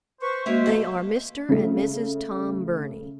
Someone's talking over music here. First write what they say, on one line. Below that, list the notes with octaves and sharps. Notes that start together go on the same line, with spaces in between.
They are Mr. and Mrs. Tom Burney.
B4 C5 C#6
G#3 A#3 C#4 F#4 C5 E5
E2 A4 F5
C#3 A3